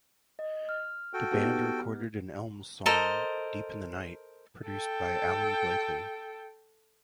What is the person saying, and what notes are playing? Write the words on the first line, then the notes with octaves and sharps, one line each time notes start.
The band recorded an Elmes song, Deep In The Night, produced by Alan Blakely.
D#5
F6
F#4 A4 G5
B3 D#4 G4
A4 A#4 C5 D#5
A4 G5